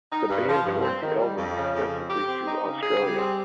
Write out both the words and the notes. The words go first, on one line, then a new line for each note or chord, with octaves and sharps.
The band toured the album extensively throughout Australia.
D#4
G2
F3
G2
C4
D#3
G3
F2
C#3
F2
C4
G4
C4
D#4
C#3
G#4
G3
C4